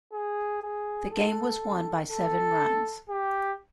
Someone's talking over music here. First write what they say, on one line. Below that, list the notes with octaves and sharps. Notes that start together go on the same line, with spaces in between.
The game was won by seven runs.
G#4
G#4
A4
A4
G4